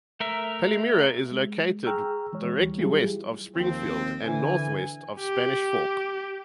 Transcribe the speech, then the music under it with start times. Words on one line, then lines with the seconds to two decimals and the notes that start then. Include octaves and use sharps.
Palmyra is located directly west of Springville and northwest of Spanish Fork.
0.20 A3 A#4 E5
1.31 G#3
1.85 G#4 G5 A#5 C#6 E6 F6
2.33 E3 G#3 C#5
2.58 D2 E3 G3
2.80 F#3 G3 E4 F4 G4 G#4
3.56 D#2 F3 C4
4.26 D3 E3 G#5
5.20 G4